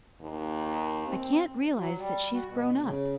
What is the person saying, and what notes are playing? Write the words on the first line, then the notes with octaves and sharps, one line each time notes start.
I can't realize that she's grown up.
D#2
C4
F#3
G3
F#4
B2
C#3